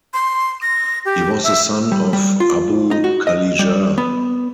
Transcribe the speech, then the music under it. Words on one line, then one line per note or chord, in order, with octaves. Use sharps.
He was the son of Abu Kalijar.
C6
A#6
G4
E5
G3
G3
F4
D#4
F#4
D#5
G3
B3